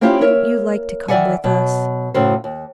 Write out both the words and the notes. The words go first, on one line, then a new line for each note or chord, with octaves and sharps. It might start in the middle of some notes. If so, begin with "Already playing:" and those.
Wouldn't you like to come with us?'
A#3 C4 C#4 E4 F4 G4
A#4 C#5 E5
D#3 E3 D5 E5 F#5 G#5
B2 F#3
F#2 A2 C#3 A3 F#4 C5
D#2